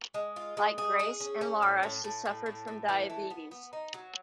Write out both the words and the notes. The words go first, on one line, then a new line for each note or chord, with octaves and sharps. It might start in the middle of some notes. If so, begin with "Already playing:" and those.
Like Grace and Laura, she suffered from diabetes.
G#3
F4
G#3
G#4
G#4
C#4
C#4
A2
A2
A2
A2
A2
A2
E3
A3
B3
B3
D#4
F#3